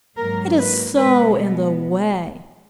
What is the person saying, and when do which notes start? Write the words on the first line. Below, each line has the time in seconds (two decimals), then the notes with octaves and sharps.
It is so in the way!
0.17 G#2 F#3 A#3 A#4
0.57 B4
0.97 B2 G#3 B3 B4